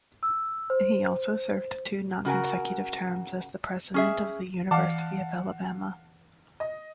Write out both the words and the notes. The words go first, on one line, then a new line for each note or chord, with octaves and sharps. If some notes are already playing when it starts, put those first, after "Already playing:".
He also served two nonconsecutive terms as the president of the University of Alabama.
E6
C5
C#3 F#4 A#4 G#5
C#4 G#4 E5
E3 F5 F#5 A5
D#5